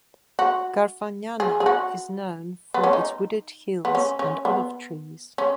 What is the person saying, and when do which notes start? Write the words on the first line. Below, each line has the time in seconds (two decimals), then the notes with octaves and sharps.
Garfagnana is known for its wooded hills and olive trees.
0.39 F#4
1.40 G#4
1.60 G#4
1.66 F#4
2.74 B3
2.84 C#4
2.93 D#4
3.85 B3
3.95 C#4
4.19 C#4
4.45 B3
5.38 C#4